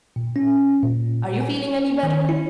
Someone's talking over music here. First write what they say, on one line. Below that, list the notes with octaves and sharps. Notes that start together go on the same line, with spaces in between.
Are you feeling any better?'
A#2
C#4
A#2
G#5
D#3
E4